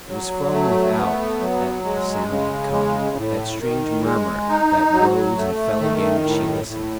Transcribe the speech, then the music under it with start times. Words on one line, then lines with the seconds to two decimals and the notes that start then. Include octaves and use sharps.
It was from without that the sound had come, that strange murmur, that rose and fell again as she listened.
0.09 F#3
0.53 A3
0.97 B3
1.40 F#3
1.85 G#3
2.29 C#3
2.72 G#3
3.17 A2
3.60 D#3
4.04 G#3
4.49 D#4
4.92 F#3
5.37 A3
5.80 D#3
6.24 A2
6.68 A2